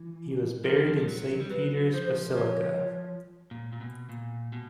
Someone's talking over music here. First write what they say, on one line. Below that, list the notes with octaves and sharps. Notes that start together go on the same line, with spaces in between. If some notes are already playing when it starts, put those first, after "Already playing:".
He was buried in Saint Peter's Basilica.
Already playing: E3
F3 A#4
E3
F3
G3
F#3
G3
F#3 B4
F3 C5
F3 C#5
A#2
A#2
B2
A#2
B2